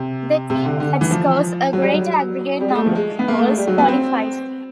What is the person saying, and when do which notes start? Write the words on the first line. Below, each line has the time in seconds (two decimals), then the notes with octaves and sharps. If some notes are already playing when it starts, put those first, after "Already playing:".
The team that scores a greater aggregate number of goals qualifies.
Already playing: C3
0.50 C3
0.65 D3
0.80 D3
1.01 E3
1.11 F3
1.73 F#3
1.82 G3
1.93 F#3
2.61 G3
2.68 G#3
2.75 A3
2.86 F3
2.95 G#3
3.19 B3
3.28 A#3
3.38 A3
3.47 G#3
3.57 G3
3.67 F#3
3.78 B3
3.88 C4